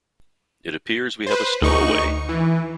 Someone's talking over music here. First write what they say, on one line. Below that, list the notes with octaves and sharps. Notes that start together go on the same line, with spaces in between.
It appears we have a stowaway.
B4 C5
D2 D#4 C#6
E3